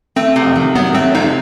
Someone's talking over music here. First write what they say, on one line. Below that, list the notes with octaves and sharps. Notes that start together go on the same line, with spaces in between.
um, I think that
A3 C4
C3
D#3
F#3 B3
A3 C4
C3 D#4